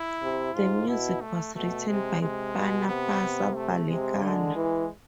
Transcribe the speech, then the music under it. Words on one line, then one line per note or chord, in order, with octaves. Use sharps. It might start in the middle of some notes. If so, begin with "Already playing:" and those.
The music was written by Panapasa Balekana.
Already playing: E4
C3
G#2 F4
B2 E4
A3
B2 A3
C3 G#3
C3 G#3
B2
C3 B3
C3
A3
C3 G#3
D3 G#3
E3